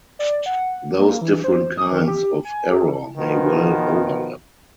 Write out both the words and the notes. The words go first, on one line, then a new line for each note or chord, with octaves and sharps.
Those different kinds of error may well overlap.
D5
F#5
A#3
E3
C5
D#6
D#3
G4
G#5
G#4
B2 D#3 F3 B3